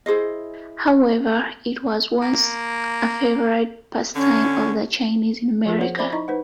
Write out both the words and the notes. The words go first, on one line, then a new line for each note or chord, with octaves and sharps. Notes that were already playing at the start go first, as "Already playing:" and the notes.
However, it was once a favorite pastime of the Chinese in America.
E4 G#4 C5 D#5
A#3
D3 C#4
F3 F4 G#4 A#4
C5 C#5 F#5
C5 D5 E5 B5 D6
D#4 E4 D#5 A#5 C#6
D#4 B4 C5 F#5